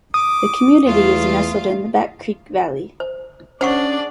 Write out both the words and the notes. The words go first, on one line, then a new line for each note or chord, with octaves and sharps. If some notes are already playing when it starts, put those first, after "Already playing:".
The community is nestled in the Back Creek valley.
D6 D#6
E2 A3 F4 F5
C5
C#4 D4 G#4 C5 D5 F#5 C#6